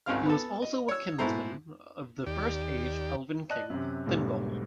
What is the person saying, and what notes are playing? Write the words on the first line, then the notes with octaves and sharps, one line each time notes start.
He was also a kinsman of the First Age Elven King Thingol.
G#1 C#2 C#3 C4 F5 F6
B3 A4
D#5
C#5 E6
G#2 B2 E4 A4 C5 A#5
D#2 G4 D5
D5 D#5 A5 F#6
F#2 C3
B1 E2 G#2 D3 G3 A3